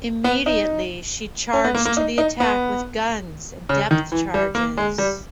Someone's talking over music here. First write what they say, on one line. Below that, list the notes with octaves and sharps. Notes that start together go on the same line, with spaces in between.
Immediately, she charged to the attack with guns and depth charges.
B3
D#4
C#4
B3
A#3
A#3
D#4
D#4
B3
C#3
D#3
E3
G3
A#3
G#3
G3